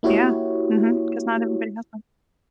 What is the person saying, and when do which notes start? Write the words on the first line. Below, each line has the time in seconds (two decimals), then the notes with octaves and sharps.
Yeah, mhm, 'cause not everybody has one.
0.03 A#3 E4 F#4 G4 C#5